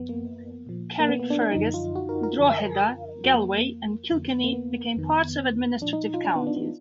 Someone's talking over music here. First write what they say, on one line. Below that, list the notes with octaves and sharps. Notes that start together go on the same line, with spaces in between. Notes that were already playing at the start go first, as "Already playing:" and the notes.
Carrickfergus, Drogheda, Galway and Kilkenny became parts of administrative counties.
Already playing: F#2 F3 B3
A#3
A#2 F3
A#3
B3
B3
D4
D4
F#2 D3 F3 D#4
F4
F#4
A#4
A#4
F#2 D3 F3
F2 F3 F#4
A#3
A#3
A#3
F2 D3 F3
A#3
B3
F2 D#3
A#2 F3 D4
D#4
F4
D4
B3
D4
B3